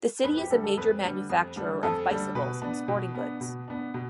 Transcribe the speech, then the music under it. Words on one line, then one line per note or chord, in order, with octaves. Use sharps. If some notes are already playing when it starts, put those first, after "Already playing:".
The city is a major manufacturer of bicycles and sporting goods.
F2 B4
G4
D3 G3 D4 A4
A4
F2 B4
D3 G3 D4
F2
D3 G3 D4
F2 A4
D3 G3 D4
B2 B4
B3 D4
B2
B3 D4
B2
B3 D4
B2